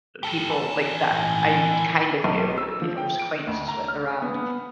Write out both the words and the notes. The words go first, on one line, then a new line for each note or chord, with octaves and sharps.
people like that I kn kind of knew, you know, I was acquaintances with around.
G4 A4
E3 A5
B1
E6
F3
G5
D7
D2
A#5
F6
B3
B3